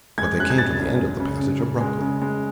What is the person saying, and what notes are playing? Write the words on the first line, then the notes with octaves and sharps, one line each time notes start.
But they came to the end of the passage abruptly.
G#3 G#6
F#2 F#6
G#6
C#3 A6
F#2
F#2
C#3
C#3
C#3
G#3
C#3
G#3